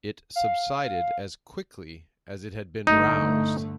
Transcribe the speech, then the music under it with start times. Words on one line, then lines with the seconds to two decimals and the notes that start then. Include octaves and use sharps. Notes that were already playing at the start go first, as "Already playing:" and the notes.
It subsided as quickly as it had been roused.
0.36 F5
2.87 G1 D3 A3 D#4